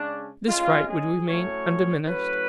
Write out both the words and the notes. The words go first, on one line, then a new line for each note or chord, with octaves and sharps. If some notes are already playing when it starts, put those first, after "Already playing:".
This right would remain undiminished.
Already playing: C#3 G#3 C#4 D4
A2 G#3 C#4 F4
G#4
A2 F#3 A3 C#4 C#5
A2 F#3 C#4 B4